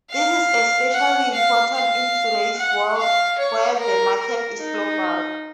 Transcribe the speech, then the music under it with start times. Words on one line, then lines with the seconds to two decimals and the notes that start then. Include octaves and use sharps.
This is especially important in today's world where the market is global.
0.11 F5
0.93 F#5
1.33 F5
1.74 F5
2.57 F#5
2.97 F5
3.38 C#5
3.79 A#4
4.19 A#4
4.60 D#4